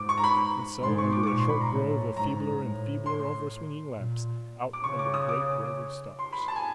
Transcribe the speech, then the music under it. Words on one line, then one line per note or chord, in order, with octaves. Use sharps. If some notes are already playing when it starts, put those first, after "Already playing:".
And so, under a short grove of feebler and feebler over-swinging lamps, out under the great grove of stars.
Already playing: G#2 D6
C#6
A#5
B5
G#2 C6
C#6
D6
D6
A#2 C#6
C6
B5
A#5
A2
G#2 A#5
A2
C6
A#2
D6
C#3 C#6
D6
D#6
D6
C6
B5
A5
G#5